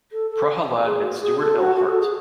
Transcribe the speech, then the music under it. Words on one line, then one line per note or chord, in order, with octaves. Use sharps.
Prahalad and Stuart L. Hart.
A4
A4
G#4
F#4
G#4
A4
F#4
F#4
A4
G#4